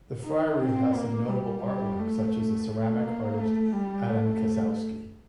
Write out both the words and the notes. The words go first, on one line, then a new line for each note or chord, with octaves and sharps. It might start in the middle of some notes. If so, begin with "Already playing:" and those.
The friary has some notable artwork such as the ceramic artist Adam Kossowski.
D#4
C4
A#3
G3
G3
A3
A3
A#3
A3
G3
A3